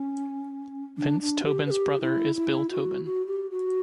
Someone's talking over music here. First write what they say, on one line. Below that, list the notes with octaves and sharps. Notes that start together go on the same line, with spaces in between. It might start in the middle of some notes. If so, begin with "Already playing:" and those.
Vince Tobin's brother is Bill Tobin.
Already playing: C#4
D4
D4
G4
B4
G4
E4
E4
F#4
F#4
G4
F#4